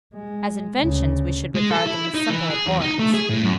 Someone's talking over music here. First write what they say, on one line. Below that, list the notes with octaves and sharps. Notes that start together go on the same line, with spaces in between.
As inventions, we should regard them with simple abhorrence.
G#3
D2 C#3
G#3
A4
E4
D#4
E3
G#4
E2
D#4
A3
G#4
A2
F#2